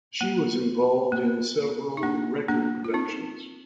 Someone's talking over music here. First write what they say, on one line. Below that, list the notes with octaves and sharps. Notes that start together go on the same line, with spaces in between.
She was involved in several record productions.
A#3
A#3
D#4
A#3 D4
A#3 D4
F4
C4 D#4